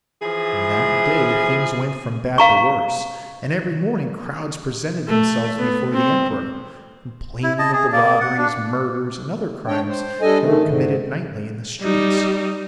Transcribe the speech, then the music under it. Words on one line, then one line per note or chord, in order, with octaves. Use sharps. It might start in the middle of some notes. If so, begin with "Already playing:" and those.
From that day things went from bad to worse, and every morning crowds presented themselves before the emperor, complaining of the robberies, murders, and other crimes that were committed nightly in the streets.
E3 F3 G#4
F5 A#5 C#6
A3
B3
C4
E4
D#5 A5
G#4
A#3 D5
F#5
D4
D4 C#5 G5
C5
G3 D4 A4 D#5 G#5
D#3 A3
G#2 D3
G3 D#4